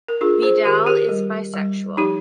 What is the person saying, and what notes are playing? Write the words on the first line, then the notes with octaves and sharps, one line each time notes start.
Vidal is bisexual.
A#4
D4 F4 G#4
G#4 C5
D#3 G4 A#4
G4 A#4
G3
G3
F3 D#4 G4